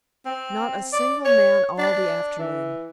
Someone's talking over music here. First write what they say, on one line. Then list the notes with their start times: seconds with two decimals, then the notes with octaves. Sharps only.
Not a single man all the afternoon.
0.25 C4
0.93 D5
1.25 C#5
1.78 D4
2.39 E3